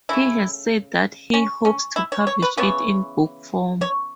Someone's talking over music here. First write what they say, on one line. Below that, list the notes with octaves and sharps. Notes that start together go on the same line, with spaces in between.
He has said that he hopes to publish it in book form.
C#3 A3 E4
C#4
C#4
E4
C#5
C#5
B4
C#3 E3 B3 C#5
C#5